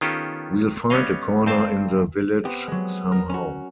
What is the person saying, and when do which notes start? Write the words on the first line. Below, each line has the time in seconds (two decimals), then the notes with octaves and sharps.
We'll find a corner in the village somehow.
0.01 D#3 B3 C#4 F4 G4 A4
0.90 G3 B3 C#4 C#5 D#5 F5
1.46 G2 C4 C5 A5
2.45 B3 C4 G4
2.68 F#3 G#3
3.12 A#4
3.30 C#4 F#4